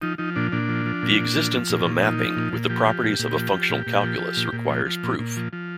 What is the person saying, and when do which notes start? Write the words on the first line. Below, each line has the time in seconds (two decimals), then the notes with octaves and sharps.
The existence of a mapping with the properties of a functional calculus requires proof.
0.02 F3 D#4
0.18 F3 D#4
0.36 A#2 D4
0.52 A#2 D4
0.69 F3
0.86 F3
1.03 A#2
1.20 A#2
1.36 F3
1.52 F3
1.70 A#2
1.85 A#2
2.02 F3 D#4
2.19 F3
2.36 A#2
2.53 A#2
2.70 F3 G4
2.86 F3
3.03 A#2
3.19 A#2
3.36 F3
3.52 F3
3.70 A#2
3.87 A#2
4.03 F3
4.19 F3
4.37 A#2
4.53 A#2
4.69 F3
4.86 F3
5.03 A#2
5.19 A#2
5.37 F3
5.53 F3